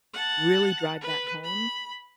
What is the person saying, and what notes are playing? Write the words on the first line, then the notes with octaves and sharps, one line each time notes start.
really drive that home
F#5 A5
B4
B5